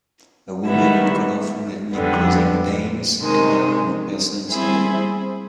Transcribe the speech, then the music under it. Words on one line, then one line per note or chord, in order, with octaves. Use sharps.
A woman in colorful ethnic clothing paints henna on a person 's hand.
D#3 G3 B3 E4
F2 D3 G3 B3
C3 D#3 G#3
G3 C4 E4 G#4